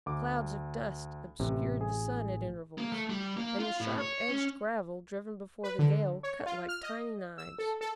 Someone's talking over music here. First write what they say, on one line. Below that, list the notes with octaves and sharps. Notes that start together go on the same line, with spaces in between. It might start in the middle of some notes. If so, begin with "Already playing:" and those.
Clouds of dust obscured the sun at intervals, and the sharp-edged gravel driven before the gale cut like tiny knives.
D2 D6
A1 C3
G#4
A#3
A3
G3
A#3
F4
A2
C#5
C#4
B4
D3
C#5
F4
F6
D#5
E6
A4
A4